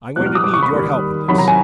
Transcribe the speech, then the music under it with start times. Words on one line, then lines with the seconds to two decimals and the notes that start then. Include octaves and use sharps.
I'm going to need your help in this.
0.16 E1 E2 B2 G3 F#6
0.26 F6
0.35 D#6
0.44 D6
0.54 C#6
0.63 B5
0.72 D#2 D#3 G3
1.28 E2 C3 D#3 F#3 B5
1.38 A#5
1.48 G#5